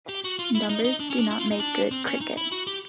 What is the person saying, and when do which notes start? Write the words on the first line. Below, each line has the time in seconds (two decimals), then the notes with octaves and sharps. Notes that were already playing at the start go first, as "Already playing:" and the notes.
Numbers do not make good cricket.
0.09 G4
0.24 F#4
0.39 F4
0.55 E4
0.69 D#4
0.84 D#4
1.00 D4
1.10 C#4
1.19 D4
1.30 E4
1.40 F4
1.51 D#4
1.60 D4
1.91 C4
2.07 C#4
2.21 D#4
2.37 E4
2.52 F#4
2.67 G4